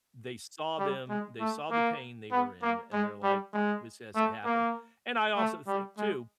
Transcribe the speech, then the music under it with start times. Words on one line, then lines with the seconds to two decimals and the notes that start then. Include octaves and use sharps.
they saw them, they saw the pain they were in, and they're like, "This has to happen," and I also think too,
0.79 G3
1.09 G#3
1.40 A3
1.71 A#3
2.31 B3
2.62 A#3
2.93 G#3
3.23 G3
3.53 G#3
4.15 A3
4.45 A#3
5.37 A3
5.67 G3
5.98 G#3